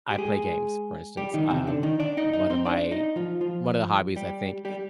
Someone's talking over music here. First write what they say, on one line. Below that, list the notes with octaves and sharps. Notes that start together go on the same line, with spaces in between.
I play games for instance, um, one of my o one of the hobbies I think,
G4
G#3 G#4
G3 G4
D#3 D#4
C3 C4
D3 D4
D#3 D#4
D4 D5
D#4 D#5
D#4 D#5
C4 C5
D4 D5
D#4 D#5
F3 F4
F3 F4
G3 G4
G3 G4